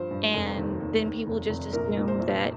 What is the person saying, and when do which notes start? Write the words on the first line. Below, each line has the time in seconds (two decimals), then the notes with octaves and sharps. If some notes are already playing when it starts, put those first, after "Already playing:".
and then people, just, assume that
Already playing: G2 F3 C5
0.11 G2
0.33 F1
0.56 D#2
0.80 D#2
1.04 D#3
1.27 F1
1.49 F1
1.73 A#1 A#4
1.97 A#2
2.08 C5
2.19 A#1